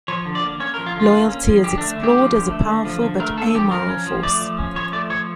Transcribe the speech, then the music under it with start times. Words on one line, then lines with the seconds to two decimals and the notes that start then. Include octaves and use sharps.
Loyalty is explored as a powerful but amoral force.
0.08 F3 C#5
0.25 D3
0.35 D5
0.44 A#3
0.60 C#4 C#5
0.74 A#4
0.78 F3
0.87 F4
0.95 D3
1.00 F4
1.12 A#3
1.29 C#4
1.47 F3
1.64 D3 G4
1.78 D4
1.81 A3
1.98 D3
2.03 G4
2.17 F3
2.33 D3
2.50 A3
2.68 D3
2.85 F3
3.02 D3
3.20 A3 A#4
3.37 D3 A4
3.55 F3 G4
3.71 F3 A#4
3.89 C#4
4.07 F3
4.23 A3 D5
4.40 F3
4.58 C#4
4.75 F3 C#5
4.92 A3 D5
5.10 F3 C#5